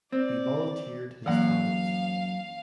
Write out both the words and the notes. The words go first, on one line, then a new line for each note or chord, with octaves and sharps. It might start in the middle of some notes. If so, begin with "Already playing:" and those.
He volunteered his talents.
C4 D5
F#2 E3 A#3 F5 F#5